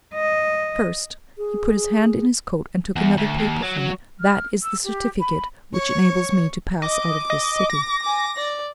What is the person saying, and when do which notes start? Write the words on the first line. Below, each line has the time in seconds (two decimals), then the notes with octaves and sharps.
First," he put his hand in his coat, and took another paper from it, "that is the certificate which enables me to pass out of this city.
0.15 D#5
1.38 G#4
2.96 E2
3.17 D2
3.38 D#2
3.62 F#3
3.77 F#3
4.20 F6
4.63 E6
4.84 G4
5.20 B5
5.73 C#5 C#6
6.82 D#5 D6
7.30 D#5
7.70 A#6
8.02 G#5 D6
8.37 D5